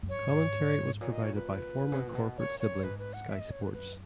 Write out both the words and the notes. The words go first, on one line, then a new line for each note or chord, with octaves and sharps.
Commentary was provided by former corporate sibling Sky Sports.
F#2
G#2 C#5
A#2 C#5
D#5
C#5
B4
C#3
B2
A#2
B2
A#2 C#5
C#5
G#2 B4
B4
F#5
E5
D#5
C#5
B4
F#2 B4